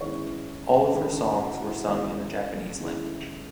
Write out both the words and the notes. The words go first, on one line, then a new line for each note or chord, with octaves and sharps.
All of her songs were sung in the Japanese language.
E2 D#3 G#3 C#4 E4 C#5 C#6
E2 D#3 G#3 C#4 E4 B4 B5
A4 A5
E5
F#4 F#5
E4 E5
E2 D#3 G#3 C#4 E4 C#5
E2 D#3 G#3 C#4 E4